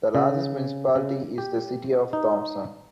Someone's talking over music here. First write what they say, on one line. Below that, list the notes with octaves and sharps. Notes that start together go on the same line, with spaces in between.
The largest municipality is the city of Thompson.
C#3
C#3
G4
D#4